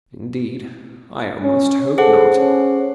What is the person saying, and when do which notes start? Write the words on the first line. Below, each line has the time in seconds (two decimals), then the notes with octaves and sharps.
Indeed, I almost hope not.'
1.43 C#4
1.98 G#4 A4 C5 F#5
2.34 C#4